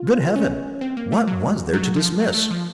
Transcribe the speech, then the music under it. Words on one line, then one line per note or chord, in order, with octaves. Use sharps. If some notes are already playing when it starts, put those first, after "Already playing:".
Good Heaven, what was there to dismiss!
Already playing: F4
C#4
C4
A#3
A3
F#3
F#3
F3
F#3
A3
F3